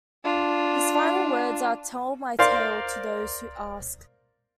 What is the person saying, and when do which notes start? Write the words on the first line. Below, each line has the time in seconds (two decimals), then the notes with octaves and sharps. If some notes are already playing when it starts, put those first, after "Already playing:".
His final words are, Tell my tale to those who ask.
0.24 D4 F4
2.39 A#4 C5 D5 F5 C6